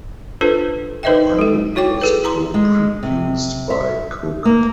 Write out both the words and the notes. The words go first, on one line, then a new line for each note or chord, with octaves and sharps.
The album was co-produced by Cook.
D4 F4 A4 B4 C5
D#4 B4 C5 D#5 E5 G5
G#3 A4
E4 F#4 C#5 G5 D6
G#4 A4 B4
E4 A#5 C6
G#3
C3
E5
A#3